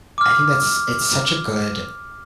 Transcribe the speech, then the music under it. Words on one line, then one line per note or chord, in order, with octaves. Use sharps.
I think that's It's such a good
D6 F6